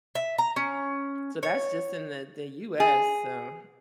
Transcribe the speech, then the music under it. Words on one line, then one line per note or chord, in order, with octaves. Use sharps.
so that's just in the the US, so
E5
A#5
C#4
C#5
G#4